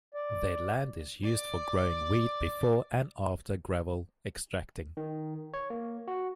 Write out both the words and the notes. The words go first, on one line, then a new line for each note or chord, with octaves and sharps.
Their land is used for growing wheat before and after gravel extracting.
D5
D5 D6
D#3
C#5
A#3
F#4